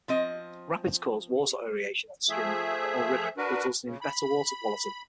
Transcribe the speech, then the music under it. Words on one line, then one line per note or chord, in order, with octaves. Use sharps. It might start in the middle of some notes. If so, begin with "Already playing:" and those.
Rapids cause water aeration of the stream or river resulting in better water quality.
F3 C4 D#5
F3 A3 G#4 E5
D4 F#4 A#4 B4
C#3
B5